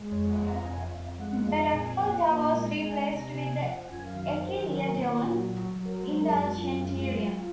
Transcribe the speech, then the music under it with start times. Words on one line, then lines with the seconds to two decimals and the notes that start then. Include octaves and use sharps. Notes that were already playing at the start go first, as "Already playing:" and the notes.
The "Raccolta" was replaced with the "Enchiridion Indulgentiarum".
Already playing: G#3
0.11 F2 C#5
0.29 F#5
0.39 F2
0.47 A#5
0.64 F2 G#5
0.92 F2
1.19 G#3 F#5
1.45 F2 F5
1.73 A#2 G#5
2.00 F3 F#5
2.26 A#2 A#5
2.44 G#5
2.54 G#3
2.62 A#5
2.80 G#3 G#5
2.98 A#5
3.07 C3
3.15 A#5
3.34 C3 G#5
3.61 F3 F#5
3.88 F#2 G#5
4.05 F5
4.14 D#3
4.23 F5
4.42 F#3 C5
4.68 D#3 A#4
4.95 A#2 C5
5.09 C#5
5.22 F#3 F4
5.35 F#4
5.49 F#3 F#4
5.75 F#3
5.85 A#4
6.03 G#3 C5
6.21 A#4
6.30 F#2
6.39 F#4
6.57 F#2 F4
6.83 G#3
7.11 F#3